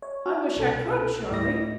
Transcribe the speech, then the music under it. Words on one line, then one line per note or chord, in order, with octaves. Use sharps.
'I wish I could, Charley!
C#5
F#4
C2 B2 A4
D2 A2 E4 D#5 A#6